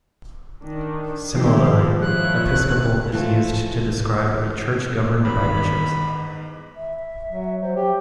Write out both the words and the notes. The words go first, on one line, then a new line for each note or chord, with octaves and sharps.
Similarly, "episcopal" is used to describe a church governed by bishops.
D#3 D4
G2 D#3 F3 A#3 E4 G4 C7
E4 F4 C#5 F#6
E3 F3 A3
E2 G#2 D#3 B5
E5
F#3
F#3 C5
G4